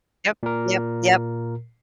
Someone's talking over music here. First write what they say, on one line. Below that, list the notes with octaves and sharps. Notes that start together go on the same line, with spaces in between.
Yep, yep, yep.
A#2 A#4